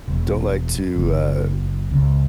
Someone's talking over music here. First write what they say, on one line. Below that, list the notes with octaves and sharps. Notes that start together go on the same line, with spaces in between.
don't like to, uh,
E1
F#1
C#2